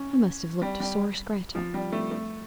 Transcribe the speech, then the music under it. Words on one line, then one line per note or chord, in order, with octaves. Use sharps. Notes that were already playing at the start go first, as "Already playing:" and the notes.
I must have looked a sore scrattel.
Already playing: C#4
G3
G3
F3
G3
A3
A3